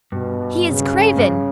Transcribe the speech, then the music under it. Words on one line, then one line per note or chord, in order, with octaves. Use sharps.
He is craven!
G2 B2
C#3
G2